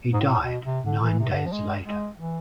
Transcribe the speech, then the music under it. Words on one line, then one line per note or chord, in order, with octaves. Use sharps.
He died nine days later.
G#2
A2
B2
C3
D3
E3
C3
C3
D3
F3
G#3
G#3
E3